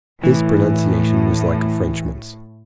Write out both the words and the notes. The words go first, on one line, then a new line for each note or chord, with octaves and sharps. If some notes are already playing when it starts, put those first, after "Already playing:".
His pronunciation was like a Frenchman's.
A2 E3